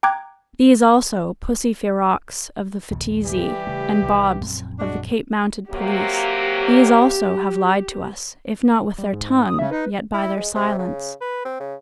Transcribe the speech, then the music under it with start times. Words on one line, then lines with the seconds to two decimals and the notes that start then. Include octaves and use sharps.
These also, Pussy Ferox of the Phiteezi, and Bobs of the Cape Mounted Police - these also have lied to us, if not with their tongue, yet by their silence.
0.03 G5 A#5 D6 F#6 G#6
2.90 A#1 D#2 C#3
3.24 E3 G3 G4
3.67 C#3 A3
4.02 C2 D#3
4.41 A#1 F#2 C4
4.80 G#3 D4 F#4
5.70 C3 F#3 A#3 G4
8.98 G3
9.13 G#2
9.46 D#6
9.59 C#3 E5
9.71 D#4 B4
10.14 E4
10.37 G#3
10.55 C3
10.79 C#3
11.21 B4
11.45 C4
11.60 C#3